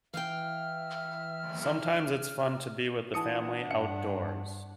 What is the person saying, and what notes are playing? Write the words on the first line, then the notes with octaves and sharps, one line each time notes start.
Sometimes it is fun to be with the family outdoors.
E3 E5 F5 G5 F6
E3 D4 E4 F#5 A5 D#6 C#7
G2 C#7